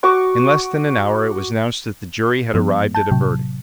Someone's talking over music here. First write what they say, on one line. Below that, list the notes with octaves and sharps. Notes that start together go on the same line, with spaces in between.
In less than an hour it was announced that the jury had arrived at a verdict.
F#4 C#6 D6
G2 F3 B3
A5 G6
A2 C3 F#3